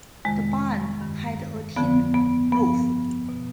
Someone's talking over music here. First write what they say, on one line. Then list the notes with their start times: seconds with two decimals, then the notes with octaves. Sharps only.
The barn had a tin roof.
0.25 F2 C3 D#3 G#3
1.01 G2 D#3
1.76 F2 D3 F3 B3
2.14 B3
2.52 G2 F3 B3
3.29 B2